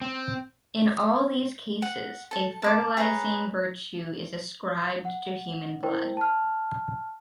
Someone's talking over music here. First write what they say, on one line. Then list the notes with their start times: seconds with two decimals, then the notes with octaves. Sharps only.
In all these cases a fertilizing virtue is ascribed to human blood.
0.02 C4
1.82 F#5
2.31 A4 A5
2.62 A5 A#5 D6
2.97 G#4 B4 C#5 A#5
5.05 F#5
5.83 E4 A#4 C5 G5
6.17 A5 F6